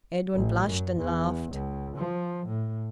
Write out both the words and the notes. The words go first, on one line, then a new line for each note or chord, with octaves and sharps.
Edwin blushed and laughed.
A1
F#2
E2
C#2
F3
A2